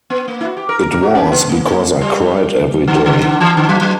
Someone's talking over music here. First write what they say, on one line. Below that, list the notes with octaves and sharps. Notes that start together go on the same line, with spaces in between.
It was because I cried every day.
B3
A#3
E4
F#4
G4
A#4
A#4
A#4
F#4
C#4
B3
A#3
A#3
G3
D3
D3
D3
E3
D3
F#3
F#3